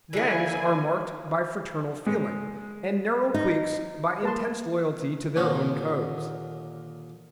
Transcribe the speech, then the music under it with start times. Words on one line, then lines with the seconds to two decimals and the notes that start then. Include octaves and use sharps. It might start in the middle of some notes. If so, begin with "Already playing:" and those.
Gangs are marked by fraternal feeling, and narrow cliques by intense loyalty to their own codes.
0.13 D3 A#3 E4 G#5
2.06 G#3
3.34 D#4
4.23 A#3 B4 A5 C6
5.36 D#2 A#2 D3 C#5